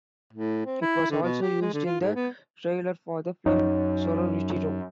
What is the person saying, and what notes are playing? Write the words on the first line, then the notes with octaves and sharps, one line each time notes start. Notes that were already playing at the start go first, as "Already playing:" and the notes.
It was also used in the trailer for the film "Sorority Row".
A2
C4
E4
D3
B2
G4
G#3
D3
F4
G#2
B3
F#2 D#4 C#5